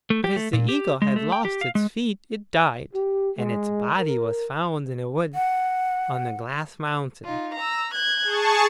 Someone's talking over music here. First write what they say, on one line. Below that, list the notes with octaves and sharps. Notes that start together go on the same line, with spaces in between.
But as the eagle had lost its feet it died, and its body was found in a wood on the Glass Mountain.
A3
G4
A3
A#2
G4
G#3
A3
G5
G4
F5
G#3
G4
G#3
A#4
F#5
D#4 F4
A#5 E6
F#6 G#6
G#4 A5 C#6